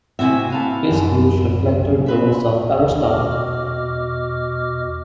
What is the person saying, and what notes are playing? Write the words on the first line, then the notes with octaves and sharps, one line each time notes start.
His views reflected those of Aristotle.
C3 C4 E4 F#4 E5 G#5
B3 F5 A5
F#2
C4 B4 E5
E2 B2 F#4 D#5 D6 F6